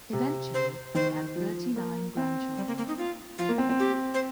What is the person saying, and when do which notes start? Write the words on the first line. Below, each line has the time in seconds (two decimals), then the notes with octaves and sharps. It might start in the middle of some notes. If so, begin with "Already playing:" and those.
Eventually, they had thirty-nine grandchildren.
0.13 C3
0.54 C5
0.95 D#3 C5
1.36 F3
1.76 A#3
2.17 C4
2.57 G3
2.67 A#3
2.78 A#3
2.88 D#4
2.98 F4
3.38 F3 F4
3.49 A#3
3.58 C4
3.69 C4
3.79 G4
4.14 C5